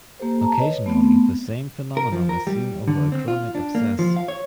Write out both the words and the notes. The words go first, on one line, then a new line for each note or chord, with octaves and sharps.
Occasionally, the same phenomenon is seen over a chronic abscess.
A#3 G4 A4 C5
A5 A#5
B4 C#5 D#5
A3 B3 C4
A#4
F3
A#4
G3
D3
C4
F4
D4
A#3
F3
F5
C#5